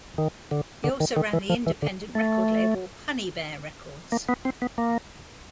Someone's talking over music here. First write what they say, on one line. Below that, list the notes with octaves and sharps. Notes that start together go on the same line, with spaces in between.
He also ran the independent record label Honey Bear Records.
D#3
D3
D3
D#3
D#3
E3
F3
E3
D3
A3
A#3
B3
C4
B3
A#3